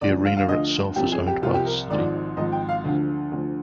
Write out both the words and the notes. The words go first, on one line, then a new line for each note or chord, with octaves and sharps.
The arena itself is owned by the city.
D2 D3 F3 D5
F5
F5
D2 D3 F3 D#5
C2 C3 F3 G4
G#4
G4
C2 C3 F3 F4
G4
A#4
G#1 G#2 F3 D5
G#1 G#2 F3 D#5
G5
F5
D2 D3 F3
D2 D3 F3